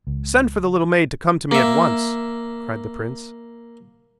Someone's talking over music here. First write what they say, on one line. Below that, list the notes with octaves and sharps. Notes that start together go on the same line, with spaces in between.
"Send for the little maid to come to me at once," cried the prince.
C#2
A#3 E5